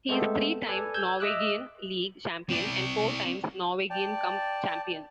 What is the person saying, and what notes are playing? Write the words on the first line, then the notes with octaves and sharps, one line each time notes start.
He is three time Norwegian league champion, and four times Norwegian cup champion.
G#3 A3 B3 C4 A4 C5
A4 B4 D5 G#5
E6 G6 G#6
D#5 E5 D6 E6 F#6
C4 D5
D5 G5 A5